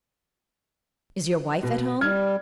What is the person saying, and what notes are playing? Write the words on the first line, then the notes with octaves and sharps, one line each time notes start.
"Is your wife at home!"
B2
G3 F6 G#6